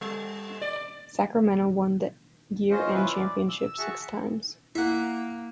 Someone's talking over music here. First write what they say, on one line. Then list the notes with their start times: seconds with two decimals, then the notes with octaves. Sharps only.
Sacramento won the year-end Championship six times.
0.01 G3
0.61 D5
2.71 C#4 F4 C5 D#5
2.94 C#4 E4 F4 B4
3.12 D5
3.49 E6
3.78 F#4 G#4 E5 F#5 A5 C#6
4.75 A#3 E4 E5 F#5